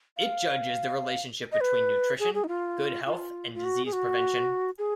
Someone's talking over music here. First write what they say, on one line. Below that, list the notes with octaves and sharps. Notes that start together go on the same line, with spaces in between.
It judges the relationship between nutrition, good health and disease prevention.
F5
D#5
B4
G#4
G#4
D#4
F4
F4
F4
F#4
G#4
F#4
G#4